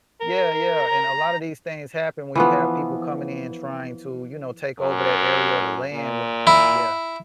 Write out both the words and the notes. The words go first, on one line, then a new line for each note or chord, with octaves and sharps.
Yeah, yeah, and a lot of these things happen when you have people coming in, and trying to, you know, take over that area of the land wa Yeah.
A#4
A#5
E3 F3 B3
F#2
A#2
E4